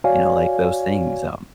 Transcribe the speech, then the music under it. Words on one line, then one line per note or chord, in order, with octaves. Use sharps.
you know, like those things, um
F#4 C#5 D5 F5 G#5